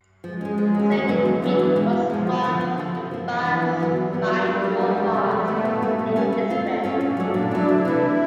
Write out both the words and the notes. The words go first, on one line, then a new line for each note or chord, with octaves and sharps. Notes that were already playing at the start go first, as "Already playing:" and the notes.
"Sandy Creek" was one of the first fine wool farms in the district.
F3 G#3
G#3 C#4
F3 F#3
G#3 C#4
D#2 E3
D3 F#3 B3 D4
D#2 E3
D3 F#3 B3 D4
E2 F3
B2 G#3
E2 F3
B2 G#3
D#2
D3 F3
D#2
D3 F3
C3
F3 A#3 D4
C3 E3
F3 A#3 D4
D#2 F3
D3 F#3 B3
D#2 G3
D3 F#3 B3
F#3 G3
A3 D4 F4
F#3 G#3
A3 D4 F4
F2 A3
C3 D#3
F2 B3
C3 D#3
A#2
G3 A#3 C#4
A#2
G3 A#3 C#4
A3
C4 F4 A4
A3 C#4
C4 F4 A4
A#2 D4
F#3 A3
A#2 E4
F#3 A3
D2 E4
C3 E3 A3